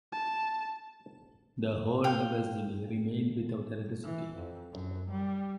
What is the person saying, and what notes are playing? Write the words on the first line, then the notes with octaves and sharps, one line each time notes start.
The whole Nevesinje remained without electricity.
A5
F5 G5
E3
F2
F#2
G3